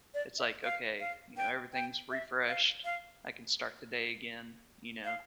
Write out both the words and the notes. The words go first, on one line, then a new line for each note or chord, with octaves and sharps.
It's like, okay, you know, everything's refreshed, I can start the day again, you know?
D5
E5
F5
F5
G5
G5
E5
F5
F5
F5